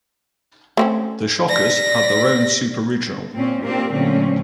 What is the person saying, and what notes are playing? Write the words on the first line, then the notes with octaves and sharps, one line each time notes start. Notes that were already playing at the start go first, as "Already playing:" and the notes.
The Shockers had their own Super Regional.
A3 C4 C#4
D5 A#6 B6
A#2 C4 C#4
A#3 C4 D4 F4 G4 A#4
A#2 D3 F#3 A3 C4 C#4